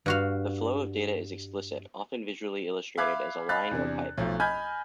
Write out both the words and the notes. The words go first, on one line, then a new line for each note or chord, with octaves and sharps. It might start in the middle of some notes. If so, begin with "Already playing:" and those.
The flow of data is explicit, often visually illustrated as a line or pipe.
G2 F#4 F5
E5 F5 B5 D6 F#6 G#6
D#5 F5 B5 F#6 A6
E2 C3 D4
B1 F3 A3
D#5 G#5 B5 F6 G6 G#6